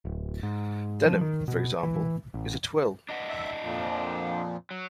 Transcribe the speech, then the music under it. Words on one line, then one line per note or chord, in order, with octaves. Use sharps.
Denim, for example, is a twill.
D1
G#2
F3
D#3
B2
E3
A1
D4 D#5 F#5
E5
F2 A#2 F3
F#3